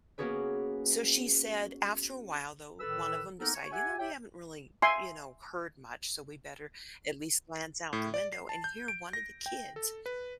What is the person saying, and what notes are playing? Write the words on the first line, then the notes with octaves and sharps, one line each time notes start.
so, she said after a while though, one of ‘em decided, you know, we haven't really, you know, heard much, so, we better at least glance out the window, and here one of the kids
A#3 B3 C#4 F#4 G#4 B4
A2 D#3 A4 B4 E6
A#3 B3 D#4 A4 A#4
C#5
G4 E5 F#5 G#5
G4 C#5 E5 G5
E5 G#5 C6
A2
D5
C7
A5
G6
D7
A#6
G5
A4
B4